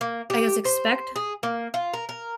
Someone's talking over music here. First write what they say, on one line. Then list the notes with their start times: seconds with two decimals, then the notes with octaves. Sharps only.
I guess, expect
0.01 A#3
0.30 G4
0.65 C5
1.16 G#4
1.43 A#3
1.74 F4
1.94 A#4
2.09 A#4